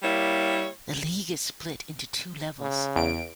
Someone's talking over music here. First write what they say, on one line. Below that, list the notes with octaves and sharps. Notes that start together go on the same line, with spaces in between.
The league is split into two levels.
G3 A#3 E4 C#5
C#3
E2 D7